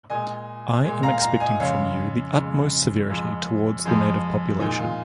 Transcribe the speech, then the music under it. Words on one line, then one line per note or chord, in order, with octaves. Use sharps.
I am expecting from you the utmost severity towards the native population.
A#2 G#3 D#5 G#5
A#2 G#3
F5 A#5
F5 A#5
D#5 G#5
F2 C#3 G#3 C#5 F5
F2 C#3 G#3
F2 F3 G#3
F2 F3 G#3
A#2 G#3 D#4
F4